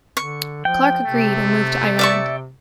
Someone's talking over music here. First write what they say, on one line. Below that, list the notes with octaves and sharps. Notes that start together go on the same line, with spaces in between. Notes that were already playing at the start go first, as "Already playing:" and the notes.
Clarke agreed and moved to Ireland.
D3 C#6
F3 G5
C3 A3
D5 E5 C#6